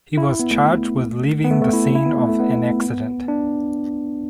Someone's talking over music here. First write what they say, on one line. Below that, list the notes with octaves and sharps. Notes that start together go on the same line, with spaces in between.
He was charged with leaving the scene of an accident.
E4
E4
B3
A3
B3
A3
A3
E4
E4
B3
A3
A3
B3
D4